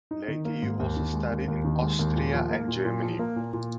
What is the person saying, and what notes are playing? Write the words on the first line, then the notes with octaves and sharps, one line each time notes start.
Later he also studied in Austria and Germany.
D#4
D#3
A#3
G#2
D#2
D#3
G#3
D#2
D#2
D#3
G#3
D#2
A#2
F3
A#3
A#2
A#2
F3
A#3
A#2
A#2